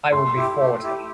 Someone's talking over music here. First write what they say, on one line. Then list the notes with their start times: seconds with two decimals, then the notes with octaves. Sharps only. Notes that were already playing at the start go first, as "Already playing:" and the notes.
I will be forty.
0.12 A3 C6
0.36 E4 G4
0.60 A3
0.83 E4 G4